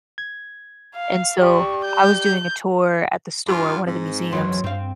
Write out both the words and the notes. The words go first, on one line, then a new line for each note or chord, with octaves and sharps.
and so I was doing a tour at the store- one of the museums-
G#6
F5
G4 D5 C#6
G6
G2 F4
G#2 C4
F#2 E3 F#3 C6
G2 C4 F5